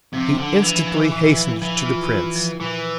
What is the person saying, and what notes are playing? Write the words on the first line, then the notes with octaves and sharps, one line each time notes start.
He instantly hastened to the Prince.
C3 F3
D3 D4
E3 F3
F3
A#2
F3
E3 F3
F4
F4
F3
A#2 E3